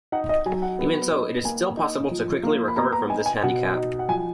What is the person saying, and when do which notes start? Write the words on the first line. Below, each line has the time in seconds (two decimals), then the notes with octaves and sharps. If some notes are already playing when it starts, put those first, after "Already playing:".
Even so, it is still possible to quickly recover from this handicap.
0.12 D#4 F#5
0.29 D#5
0.46 F#3 G#5
0.62 F#5
0.79 B3
1.12 D#4
1.44 A#3 G#5
1.77 D#4
2.11 F3
2.43 A#3
2.68 B5
2.76 B3 A#5
2.92 A#5
3.10 D#4 G#5
3.26 G#5
3.43 B2 F#5
3.75 D#4
3.99 F#5
4.09 F3 G#5